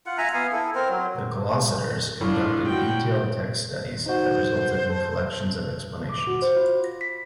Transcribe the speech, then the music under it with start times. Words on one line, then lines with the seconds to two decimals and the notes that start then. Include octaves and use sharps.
The glossators conducted detailed text studies that resulted in collections of explanations.
0.06 F4 F#5
0.18 E5 G#5 A#5
0.34 B3 F5 G#5
0.52 E4 A4
0.75 C4 A#4 C5
0.89 F#3
2.21 A2 D4 F4
2.68 F#4 G5
4.06 D#4 F#4 C5
4.90 A4
6.09 D6
6.27 F#4
6.42 C5
6.56 F4
6.84 A#6
7.01 B6